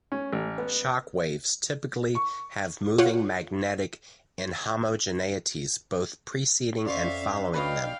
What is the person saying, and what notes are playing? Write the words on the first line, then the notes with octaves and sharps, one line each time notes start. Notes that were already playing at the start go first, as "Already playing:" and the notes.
Shock waves typically have moving magnetic inhomogeneities both preceding and following them.
C#4
A1
B3
C#6
F4 C#5 F#5
F2 C#4 D5 E5 F5 C6 C#6
D4 B4 C#5 D#5 F5 G5